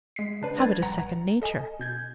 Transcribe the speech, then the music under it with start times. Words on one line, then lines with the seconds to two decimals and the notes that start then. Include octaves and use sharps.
Habit is second nature.
0.16 G#3 B6 C7
0.42 C#3 D4 B4
0.58 G3 B4 G#6 A6
0.82 A#1 F#5 A#5
1.42 A4 D#5 G#5
1.80 B2 G6 G#6